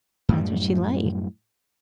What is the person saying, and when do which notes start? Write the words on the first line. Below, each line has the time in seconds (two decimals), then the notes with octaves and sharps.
that's what she likes.
0.29 F#2 A2 G3